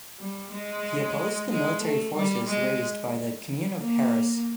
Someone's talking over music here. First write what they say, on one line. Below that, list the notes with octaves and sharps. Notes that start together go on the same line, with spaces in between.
He opposed the military forces raised by the Comune of Paris.
G3
G#3
G#3
A3
G3
G#3
A#3